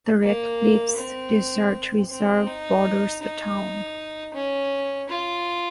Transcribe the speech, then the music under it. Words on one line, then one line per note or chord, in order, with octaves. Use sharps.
The Red Cliffs Desert Reserve borders the town.
A#3
C4
C4
D#4
D#4
C#4
F4